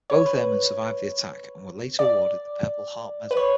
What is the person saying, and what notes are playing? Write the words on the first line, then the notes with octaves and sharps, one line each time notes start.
Both airmen survived the attack and were later awarded the Purple Heart medal.
C#5
B4
D5
B4
C#5